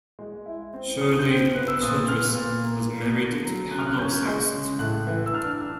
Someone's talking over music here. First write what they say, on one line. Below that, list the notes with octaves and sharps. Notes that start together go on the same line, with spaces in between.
Shirley Childress was married to Pablo Saxton.
G#3
E4
C4
D3 D#6
G6
C4
B3 F#6
E6
A#2 D#6
E6
B3 F6
A#2
A#3
A#3
D3
F#3
C#3 F#6
F6
F#6
C#4 G6
G#3 G6
C#3
A2 F#6
E3
E6
D4 F6
D4 E6